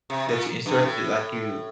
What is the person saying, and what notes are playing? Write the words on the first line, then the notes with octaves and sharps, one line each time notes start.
that you're interested like, you
C3
A#2
G2
A2